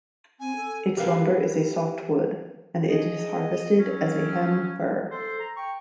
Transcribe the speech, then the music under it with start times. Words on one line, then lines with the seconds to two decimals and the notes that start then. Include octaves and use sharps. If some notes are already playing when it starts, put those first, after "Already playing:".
Its lumber is a softwood, and it is harvested as a hem fir.
0.40 C4 G#5
0.56 A4
0.97 G4 A#4 B4 F5
2.89 G#4 D#5
3.79 F#3 C#4
5.11 A4 C5
5.40 A#5
5.57 G5 C#6